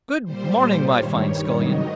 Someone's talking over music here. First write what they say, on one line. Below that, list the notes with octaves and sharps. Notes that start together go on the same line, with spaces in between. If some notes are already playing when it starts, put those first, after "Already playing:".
'Good-morning, my fine Scullion!'
A#2 G3 C5
C5
G2 D#3 G3 C#5
C#5
G#2 D#3 F#3 D#5